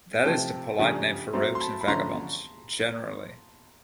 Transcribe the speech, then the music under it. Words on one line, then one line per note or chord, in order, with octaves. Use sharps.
That is the polite name for rogues and vagabonds generally.
C3 F3 A3 C4 G5 A5
C#3 F3 A3 D4 G4 G#5 A#5
F#3 A3 C4 A#5 C6
C6
A5 B5
B5
D3 F3 A3 C#4 A#5 C6